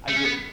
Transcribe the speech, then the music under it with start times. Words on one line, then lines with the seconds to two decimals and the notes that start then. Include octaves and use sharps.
I do.
0.08 A3
0.16 C#4
0.25 B3